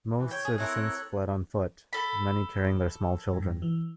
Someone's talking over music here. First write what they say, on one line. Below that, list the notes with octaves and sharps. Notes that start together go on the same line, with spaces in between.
Most citizens fled on foot, many carrying their small children.
E3
C#5 G5
G#4
C4 E4 A4 A#4 C#5 F#6
A4 B5
G2
E3